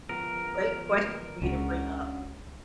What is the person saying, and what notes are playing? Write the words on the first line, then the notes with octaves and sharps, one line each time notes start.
great question for you to bring up.
D2 F3 B3 A#4
C#2 C#3 C#4 D4 F#4